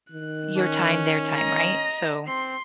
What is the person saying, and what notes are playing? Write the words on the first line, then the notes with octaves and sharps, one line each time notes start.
your time, their time, right? So,
D#3 F#6
C#4
D#5 A#5
C4 C6